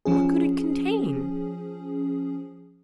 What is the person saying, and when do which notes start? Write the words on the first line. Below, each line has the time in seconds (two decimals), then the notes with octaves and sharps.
What could it contain?
0.05 F3 C#4 G#4